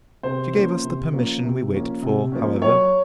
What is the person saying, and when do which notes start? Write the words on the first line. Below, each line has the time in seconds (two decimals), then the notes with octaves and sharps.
She gave us the permission we waited for, however.
0.23 C3 C5
0.53 F3 A#3 C#4
0.84 C3
1.13 F3 A#3 C#4
1.43 C3
1.73 F3 A#3 C#4
2.02 C3
2.32 F3 A#3 C#4
2.62 F#3 C#5